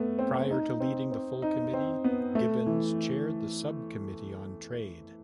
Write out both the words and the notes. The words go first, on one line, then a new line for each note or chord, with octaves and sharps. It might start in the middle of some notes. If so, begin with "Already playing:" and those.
Prior to leading the full committee, Gibbons chaired the subcommittee on trade.
Already playing: A3 B3
C4
D#4
C4
C4
D#4
C4
B3
A3
E3